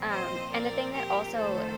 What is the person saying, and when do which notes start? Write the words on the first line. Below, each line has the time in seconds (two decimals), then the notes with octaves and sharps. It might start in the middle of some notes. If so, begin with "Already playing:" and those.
um, and the thing that also,
Already playing: A#2 F3 C4
0.09 C5 D#5
0.51 A#4 D5
0.93 G4 A#4
1.35 F2 D#3 A3 A4 C5